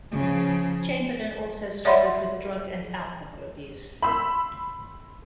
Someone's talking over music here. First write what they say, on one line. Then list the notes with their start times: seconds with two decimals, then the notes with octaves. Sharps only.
Chamberlain also struggled with drug and alcohol abuse.
0.12 C#3 F3
1.85 C#5 D5 E5 F#5 B5 C6
4.02 B5 C6 E6